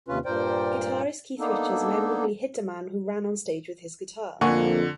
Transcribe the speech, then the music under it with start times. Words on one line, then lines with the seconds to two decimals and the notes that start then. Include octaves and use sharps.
Guitarist Keith Richards memorably hit a man who ran onstage with his guitar.
0.08 D#2 C3 C#4 F4 B4
0.25 G2 A#2 A#4 C5 D5 G5
1.39 A#3 B3 D4 D#4 A4
4.41 F2 D3 A#3 F#5 G#5 C#6